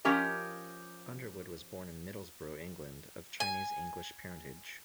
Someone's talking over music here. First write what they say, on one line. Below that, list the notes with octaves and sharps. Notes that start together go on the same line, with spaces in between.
Underwood was born in Middlesbrough, England, of Chinese-English parentage.
F3 C#4 G4 A#4 D#5
G#5